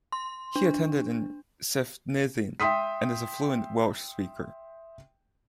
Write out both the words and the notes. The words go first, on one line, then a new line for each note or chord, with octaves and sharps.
He attended in Cefneithin, and is a fluent Welsh speaker.
C6
D4
E5 G5 C6 D#6 B6